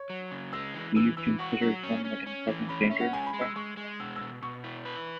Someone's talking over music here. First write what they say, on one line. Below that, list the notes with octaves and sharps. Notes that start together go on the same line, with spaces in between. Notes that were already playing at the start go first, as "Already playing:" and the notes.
Do you consider him in present danger, sir?
Already playing: C#5
F#3
C#3
G#3 E6
E3
E3 E6
E3 E6
F#4 C#6
F#3
C#4
C#4
C#4
E3
C#4 B5
C#4 E5
F#5
G#3 G#5
B5
G#3
E6
G#3 C#6
G#3
B2 E6
B2 E6
B2 C#6
E4
B4